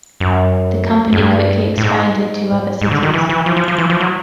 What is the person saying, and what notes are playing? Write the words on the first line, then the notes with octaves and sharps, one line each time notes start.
The company quickly expanded to other cities.
F#2
F#2
G2
A2
G#2
G#2
D3
D#3
E3
E3
F3
F3
F3
E3
F3
F#3